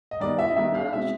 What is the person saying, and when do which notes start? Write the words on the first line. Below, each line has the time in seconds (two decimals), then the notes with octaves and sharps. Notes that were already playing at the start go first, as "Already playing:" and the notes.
Oh gosh.
0.11 D#5
0.20 D#3 G3 B3 D5
0.38 E5
0.48 D#5
0.56 D#3 G3 B3 E5
0.75 F5
0.93 B2 G#3 C4 E5